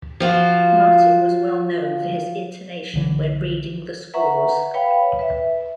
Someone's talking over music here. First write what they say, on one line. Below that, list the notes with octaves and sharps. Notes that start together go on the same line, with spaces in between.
Martin was well known for his intonation when reading the scores.
F3 F4 F#4
B1 D3 E3
B4 E5 F#5 A#5 C#6
B4 C#5 F5 G5 B5
B4 E5